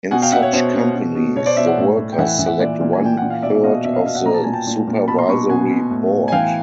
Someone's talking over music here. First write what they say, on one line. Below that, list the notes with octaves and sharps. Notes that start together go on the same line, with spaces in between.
In such companies, the workers select one-third of the supervisory board.
B2 F#5 G#5
F5 G5
B2 E5 F#5
C#5
B2 C5
B2
B2
B2
B2 C#5
C5 D5
B2 D5 E5
E5 F#5
A2
A2
G5
E3 E5 F#5
E3
E5 F#5
A#2 D5 E5
A#2
G#5
A#2 G5
A#2 F#5
F5
B2 D5 E5
E5
B2 D#5 F5
B2 D5 E5
D#5 F5
B2 F5
E5 F#5
A#2 A#5
A5
A#2 G#5
G5 A5
A#2
A#2
B2 A5 B5
A#5 C6
B2 B5 C#6
B2 F#5 G#5
B2
A2
A2
G#5
E3 F5 G5